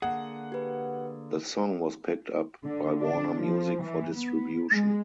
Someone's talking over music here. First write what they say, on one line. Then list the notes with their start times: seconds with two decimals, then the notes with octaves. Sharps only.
The song was picked up by Warner Music for distribution.
0.02 D3 A#3 G#4 F#5
0.52 G4 B4
2.65 D3
3.02 D4
3.41 F3
3.83 E3
4.14 B3
4.72 G#3